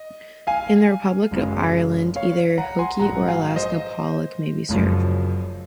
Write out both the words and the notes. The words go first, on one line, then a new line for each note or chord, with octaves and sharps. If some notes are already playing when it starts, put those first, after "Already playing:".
In the Republic of Ireland either hoki or Alaska pollock may be served.
Already playing: D#5
F5 G#5
F#1 F#2 C#3 G#3
C#5 F5
F#5 A#5
G#5 C6
A#1 G#2 F#3 F#5 A#5
F5 G#5
C5 D#5
F#1 F#2 F3